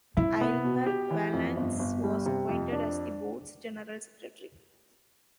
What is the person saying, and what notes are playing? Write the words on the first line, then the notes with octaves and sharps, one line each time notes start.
Aylmer Vallance was appointed as the board's General Secretary.
C3 E4
B3
B2
G4
E3
F2
G1
G1
G3
C3
F2
D4